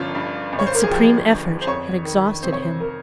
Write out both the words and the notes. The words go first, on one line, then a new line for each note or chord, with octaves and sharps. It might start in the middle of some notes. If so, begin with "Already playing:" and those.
That supreme effort had exhausted him.
Already playing: G1 F3 C#4 F4
G2
G1
C#5
C5
A#4
G#4
F3 G4
G1
C5
F2 C#5
D#3
C3 C5
C#5
C5
A#4